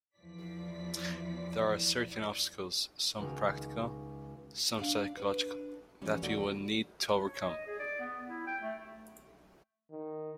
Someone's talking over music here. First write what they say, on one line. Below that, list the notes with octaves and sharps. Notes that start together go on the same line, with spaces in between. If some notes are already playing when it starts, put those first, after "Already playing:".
There are certain obstacles, some practical, some psychological, that we would need to overcome.
E2 E3 F3 D5 B6
C#2 D#3 F#4 F6
D4 F5
D4 B4
E3 F3 G3 C#4
E2 B2 D#3 A3 F#4 D5
D4
C#5
D#5
G#4
D5
B3
E4
G5
A3
D#3